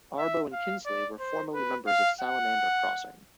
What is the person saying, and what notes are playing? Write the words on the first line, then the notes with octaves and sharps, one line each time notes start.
Arbo and Kinsey were formerly members of Salamander Crossing.
E5
F5
D5
C5
B4
F5
F#5